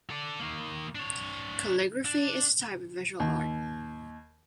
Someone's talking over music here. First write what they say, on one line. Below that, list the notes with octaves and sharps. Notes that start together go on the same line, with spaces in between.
Calligraphy is a type of visual art.
A4 D5
D#3 A#3
D4 C#5
D4
D#2